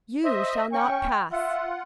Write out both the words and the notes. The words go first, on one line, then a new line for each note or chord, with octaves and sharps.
"You shall not pass!"
C5 D#5 E5
C#4 G5 C#6
F4 E5 F#5